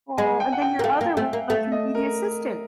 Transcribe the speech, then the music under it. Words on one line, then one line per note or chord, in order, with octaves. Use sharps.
Aw, and then your other one can be the assistant.
G#3 G#5
G5
F#5
G5
A#3
A3 F5
A#3
A3 E5
A#3
A3 E5
D#5
A#4